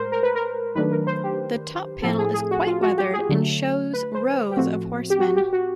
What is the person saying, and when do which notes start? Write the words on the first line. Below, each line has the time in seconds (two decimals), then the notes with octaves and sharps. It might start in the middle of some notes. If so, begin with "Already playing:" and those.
The top panel is quite weathered and shows rows of horsemen.
Already playing: A2 G#3 A#4 C5
0.12 A#4
0.23 B4
0.35 A#4
0.75 D#3 F#3 A3 D4 B4
0.92 A#4
1.07 C5
1.24 G4
2.02 A2 F3 A3 C4 E4 A4
2.18 G#4
2.34 G#4
2.51 F#4
2.67 F4
2.82 F#4
2.98 G4
3.13 G#4
3.29 D3 F#3 A3
3.94 B4
4.15 C5
4.51 G4
4.57 A2 F3 A3 C4 F#4
5.10 G4
5.20 F#4
5.36 G4
5.53 F#4